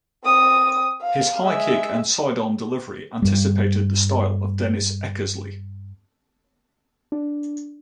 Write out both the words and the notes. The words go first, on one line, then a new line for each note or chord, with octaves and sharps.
His high kick and sidearm delivery anticipated the style of Dennis Eckersley.
C4 D#6
F5
G#3 E5
G2 G3
D4